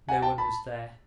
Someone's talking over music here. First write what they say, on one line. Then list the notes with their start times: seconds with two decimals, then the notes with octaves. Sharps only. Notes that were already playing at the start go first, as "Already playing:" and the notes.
No one was there.
0.08 F#5 G#5
0.22 G5 A5
0.38 A5 B5